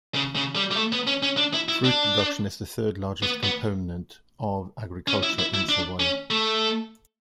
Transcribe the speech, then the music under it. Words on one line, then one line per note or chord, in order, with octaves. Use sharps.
Fruit production is the third largest component of agriculture in Savoie.
C#3
C#3
G3
G3
A3
B3
C#4
C#4
D4
E4
E4
D4
B3
B3
C#4
E4
E4
E4
D4
C#4
A3